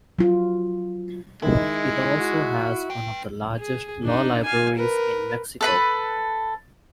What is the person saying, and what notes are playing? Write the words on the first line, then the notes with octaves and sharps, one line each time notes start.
It also has one of the largest law libraries in Mexico.
F#3 F4
D#3 G#3 D#4 E4
F#4
B4 G5
G#4
D4 D#4
F5 G#5
A#4 B4
A4 B4 B5